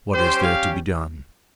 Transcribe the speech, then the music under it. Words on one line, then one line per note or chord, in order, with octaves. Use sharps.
What is there to be done?
G3 C#4 G4 C5
F5